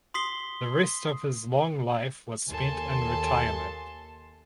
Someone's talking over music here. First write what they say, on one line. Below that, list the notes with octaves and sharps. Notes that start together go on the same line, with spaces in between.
The rest of his long life was spent in retirement.
C6 D#6 B6 C7 G7
D#2 A4 G#5 A5 C6